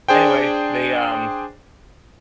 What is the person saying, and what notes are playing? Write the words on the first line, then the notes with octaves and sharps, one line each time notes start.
anyway, they, um
D4 G#4 C5 G5